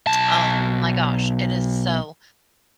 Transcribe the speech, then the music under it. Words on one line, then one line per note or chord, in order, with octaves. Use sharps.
Oh my gosh, it is so,
B1 A5